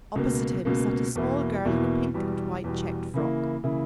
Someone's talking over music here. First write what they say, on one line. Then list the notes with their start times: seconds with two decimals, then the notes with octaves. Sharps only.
Opposite him sat a small girl in a pink and white checked frock.
0.15 C#2 B2 A#3
0.65 C#2 B2 A#3
1.16 E2 B2 A#3 E4
1.65 E2 B2 A#3 E4
2.14 E2 B2 G3
2.64 E2 B2 G3
3.14 C#3 E3 A#3 E4
3.64 C#3 E3 A#3 E4